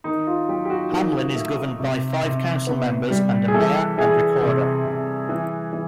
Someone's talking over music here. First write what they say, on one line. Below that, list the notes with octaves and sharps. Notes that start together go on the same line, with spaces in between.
Hamlin is governed by five council members and a mayor and recorder.
D#3 D#4
F4
F#3 G4
G4
F#4
D#3 G4
A3
C3
C3
B3
G3
G#4
E3 A4
E3 G#4
C3
C3
E3
E3